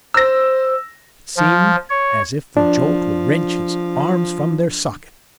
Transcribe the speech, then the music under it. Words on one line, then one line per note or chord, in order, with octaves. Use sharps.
It seemed as if the jolt would wrench his arms from their sockets.
C5 E6 A#6
F3
C#5
F3 D4